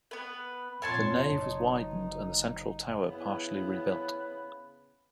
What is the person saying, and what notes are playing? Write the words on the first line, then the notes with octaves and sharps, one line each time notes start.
The nave was widened and the central tower partially rebuilt.
B3 B4
F2 A#2 C#5 A5 C6
F#1 D#4
C#3 B3 E4 B4